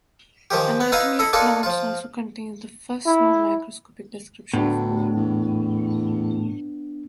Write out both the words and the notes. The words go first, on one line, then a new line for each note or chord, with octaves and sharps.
"Anatomy of Plants" also contains the first known microscopic description of pollen.
D#3 F3 G#3 G4
B3
D#4 E4 B4 D#5 F5 A#5
E4 A4 D#5
A#3 D4 D#4 F4 G#4 A4
F3 F4
E4
D2 A2 B3 D4
E2